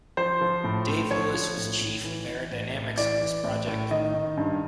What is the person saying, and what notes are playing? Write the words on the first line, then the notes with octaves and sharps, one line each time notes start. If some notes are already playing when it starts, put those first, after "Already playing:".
Dave Lewis was Chief of Aerodynamics on this project.
F3 C5
F3
A2
A2
F3 C#5
F3
A2
A2
E3
E3
A2
A2
E3 D5
E3
A2
A2
D#3 D#5
D#3
G2